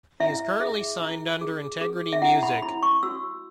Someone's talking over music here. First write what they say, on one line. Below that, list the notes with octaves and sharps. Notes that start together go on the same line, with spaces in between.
He is currently signed under Integrity Music.
E4 E5
G#4 E5
E4
G#4
G#4
E5
E4 F#5
B5
E4 B5
C#6
F#4 E6